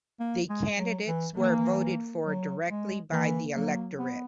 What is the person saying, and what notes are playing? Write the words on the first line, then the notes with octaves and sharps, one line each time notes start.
The candidates were voted for directly by the electorate.
A#3
G#3
F#3
E3
E3 A#3
F#3
G#3
E3 A#3
F#3 A#3
B3